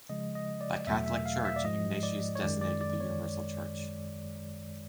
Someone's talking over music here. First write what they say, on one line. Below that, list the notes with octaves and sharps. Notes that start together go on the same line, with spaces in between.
By "Catholic Church" Ignatius designated the universal church.
C#3 F3 G#3 D#5
D#5
D5
E2 B2 F#3 A3 E5
E5
F5
E5
D5
G#2 F3 G#3 D#5
D5
C#5
F#2 D#3 G#3 D5
D5
D5
C#5